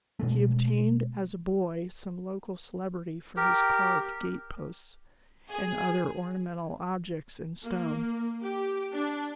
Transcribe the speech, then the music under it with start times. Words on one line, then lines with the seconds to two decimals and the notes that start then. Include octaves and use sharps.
He obtained, as a boy, some local celebrity for his carved gate posts, and other ornamental objects in stone.
0.19 B2 G#3 A3
3.37 G4 A#4
5.49 G#4
7.62 A#3
8.42 G4
8.93 D4